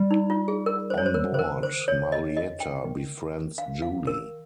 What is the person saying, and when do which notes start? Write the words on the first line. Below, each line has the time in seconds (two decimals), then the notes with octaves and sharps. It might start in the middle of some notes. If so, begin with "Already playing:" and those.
On board, Marietta befriends Julie.
Already playing: G3
0.11 D#4
0.30 F4
0.48 G#4
0.66 A#4
0.90 C5
0.98 C#5
1.06 C5
1.14 A#4
1.32 C#3 C5
1.39 D#3 A#4
1.63 C5
1.88 C#5
2.12 D#5
2.37 D#5
2.60 G5
2.85 D#3
3.58 F5
3.82 F5
4.07 A#4